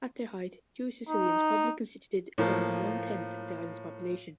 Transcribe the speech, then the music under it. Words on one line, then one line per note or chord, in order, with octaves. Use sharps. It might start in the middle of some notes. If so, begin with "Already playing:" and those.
At their height, Jewish Sicilians probably constituted around one tenth of the island's population.
D#4
A2 F3 A#3